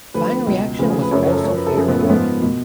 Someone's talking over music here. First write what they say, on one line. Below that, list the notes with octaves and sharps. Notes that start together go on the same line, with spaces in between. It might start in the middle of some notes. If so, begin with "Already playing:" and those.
Fan reaction was also favorable.
D2 D3 F3 B4
C#2 B2
D2 C#3 F3 B4
G#4
B4
F#2 C#3 F3 C#5
C#5
A4
F#2 F3 C#5
B4
A4
F#2 C#3 F3 G#4
B3
A3
C#4
G#2 F3 B3
B2